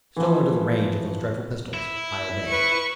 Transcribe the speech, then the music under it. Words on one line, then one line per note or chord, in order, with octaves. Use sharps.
Still under the range of those dreadful pistols, I obeyed.
E3 F3
E4
B4 C#6